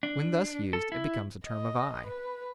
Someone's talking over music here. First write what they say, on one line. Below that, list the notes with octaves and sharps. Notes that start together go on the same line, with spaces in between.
When thus used it becomes a term of eye.
D4
A4
E4
D#5
B4